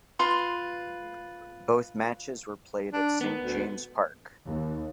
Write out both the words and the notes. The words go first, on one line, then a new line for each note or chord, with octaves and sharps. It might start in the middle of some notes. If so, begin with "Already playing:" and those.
Both matches were played at Saint James Park.
F4 B4 C6
D4
D#3 B3
D2
D#2